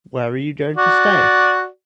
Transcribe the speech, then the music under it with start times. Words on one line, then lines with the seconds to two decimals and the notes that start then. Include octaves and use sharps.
Where are you going to stay?
0.76 F#4 D5